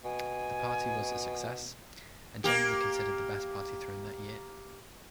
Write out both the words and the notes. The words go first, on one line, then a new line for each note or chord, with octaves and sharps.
The party was a success and generally considered the best party thrown that year.
B2 G#5
A#3 G4